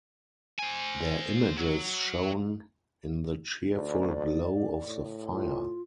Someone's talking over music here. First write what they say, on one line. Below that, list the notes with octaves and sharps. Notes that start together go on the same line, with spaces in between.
Their images shone in the cheerful glow of the fire.
C5 G#5
F#3
D2 D5
A2
F4